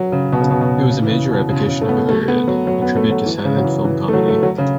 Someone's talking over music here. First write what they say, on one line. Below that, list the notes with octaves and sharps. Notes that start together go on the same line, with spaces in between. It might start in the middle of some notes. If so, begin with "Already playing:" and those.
It was a major evocation of a period, a tribute to silent-film comedy.
Already playing: F#3
C#3
B2
C#3
B2
B2
C#3
E3
C#3
B2
C#3
C#3
A3
B3
A3
B3
F#3
F#3
B3
A3
F#3
E3
C#3
F#3
E3
E3
A3
F#3
A3
F#3
C#3